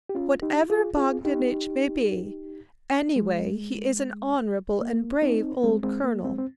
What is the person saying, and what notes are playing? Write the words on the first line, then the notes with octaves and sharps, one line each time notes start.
Whatever Bogdanich may be, anyway he is an honorable and brave old colonel!
G4
C#4 F4
D#4 G4
F4 G#4
F4 G#4
D#4 G4
G#3
A#3
C4 D#4
G#3 C4
G#3 C4
A#3
G#3 C4
C4